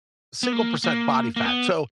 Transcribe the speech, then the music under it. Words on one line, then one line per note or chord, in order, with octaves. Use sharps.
single percent body fat. So,
B3
A#3
A#3
A#3
B3